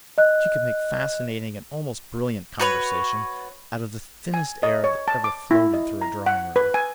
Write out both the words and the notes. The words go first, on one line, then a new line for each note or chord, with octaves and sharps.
She could make fascinating and almost brilliant conversation out of the thinnest air that ever floated through a drawing-room.
D#5 F#6
F#4 B4 C#5
G#5
D#5
C#5
A5
D6
E4
D#5
A#5
F#5
B4
G#5